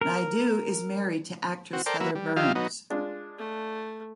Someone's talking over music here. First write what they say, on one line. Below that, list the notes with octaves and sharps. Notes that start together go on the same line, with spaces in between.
Naidu is married to actress Heather Burns.
A#4
C4 F#4
A4 A#4 C5 D5 G5
F#3 A#3 B4 E5
G3
F3 D#4 F4 G4 E5 F5
F#3 B3 D#4
G#3 D4 F4
A3